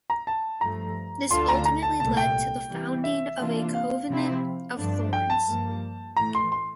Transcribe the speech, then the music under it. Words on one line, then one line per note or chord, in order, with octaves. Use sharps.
This ultimately led to the founding of A Covenant of Thorns.
A#5
A5
G2 F3 A3 A#5
D2 D3 A3 D4 F4 C6
A#5
A#5
A5
C2 A#2 A3 A5
G5
C3 E3 G3
E5
C3 E3 A#3 D4 F4
F5
C3 F3 C4 E4
G2 F3 A3 D4
G5
A5
G2 F3 A#3
A2 E3 A3 A#5
C6
C6